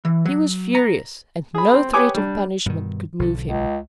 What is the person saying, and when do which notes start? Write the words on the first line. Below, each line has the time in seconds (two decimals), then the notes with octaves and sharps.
He was furious, and no threat of punishment could move him.
0.05 E3
0.25 F#3
0.75 A#5
1.55 G#4 B5
1.74 C4
1.93 G4 B4 C#5 G#5 D6 D#6
2.14 G3 D4
2.66 G2 B2 D#3
3.19 B1 D3
3.45 C#2